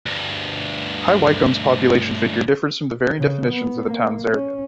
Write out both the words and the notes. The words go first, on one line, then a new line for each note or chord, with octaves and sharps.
High Wycombe's population figure differs with the varying definitions of the town's area.
D2 G2
C#3
B3
A#3
C#4